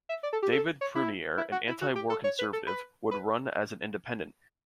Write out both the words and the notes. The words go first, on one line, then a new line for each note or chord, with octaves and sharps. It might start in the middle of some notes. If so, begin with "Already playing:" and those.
David Prunier, an anti-war conservative, would run as an independent.
E5
D5
A4
G4
A4
C#5
E4
E4
F#4
E4
F#4
G4
A4
C#5
B4
A4
B4
B4